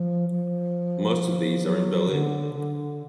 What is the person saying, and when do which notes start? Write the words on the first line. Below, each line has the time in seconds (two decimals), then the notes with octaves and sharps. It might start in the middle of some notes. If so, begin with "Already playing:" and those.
Most of these are in Berlin.
Already playing: F3
0.29 F3
1.64 F#3
2.10 D3
2.54 D3